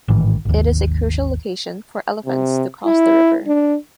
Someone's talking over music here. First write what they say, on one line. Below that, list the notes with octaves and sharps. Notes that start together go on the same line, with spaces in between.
It is a crucial location for elephants to cross the river.
A1 G#2 D#3 E3
G#1 D#2
C3
E4
D4